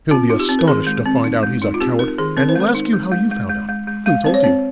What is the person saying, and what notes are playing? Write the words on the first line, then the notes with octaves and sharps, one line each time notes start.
He'll be astonished to find out he's a coward and will ask you how you found out, who told you.
C4 F4
D#4 F4
G4
C4
A#4
D#3 G#4
G#3
C4
D#4
G#3
D#4
F4
C4 G4
D#4 A#4
D#3 G#4
C4 A#4
C5
G#3 A#4
D#4
G#3
G#3
G#3
G#3
G#3
G#3
G#3 F5
C4 C5
C#5
C4